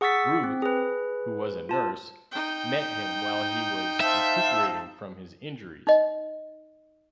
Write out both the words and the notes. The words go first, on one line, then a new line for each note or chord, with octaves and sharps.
Ruth, who was a nurse, met him while he was recuperating from his injuries.
G#4 F#5 C#6 E6 A6 B6
C4
G#4 B4
F4 A5
D#4 G5
C5 E5 F5 A5
D#4 D#5